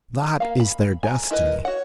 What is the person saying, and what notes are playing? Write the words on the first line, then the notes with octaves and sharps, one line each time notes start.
That is their destiny.
A#3 F5
B5
G#5 A#5
E4 A#4 B4 D#5
F#4 C#5 F#5